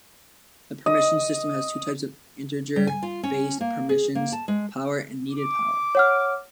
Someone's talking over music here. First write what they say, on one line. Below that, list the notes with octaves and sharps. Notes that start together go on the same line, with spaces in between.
The permissions system has two types of integer-based permissions: Power and Needed Power.
D#5
G3
G#5
F4
C#4
A#3
G#4
A#3
A5
G#3
D6
C#5 F#5 F6